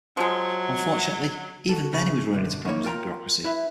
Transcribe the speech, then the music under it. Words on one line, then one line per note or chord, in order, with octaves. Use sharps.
Unfortunately even then he was running into problems with bureaucracy.
F3 F#3 G#3
F#4 G4 A4
C#3
B1 F#2 D3
D#3 E3 A#3 C#5
F4 A#4 G5 A#5
E4 B4 E5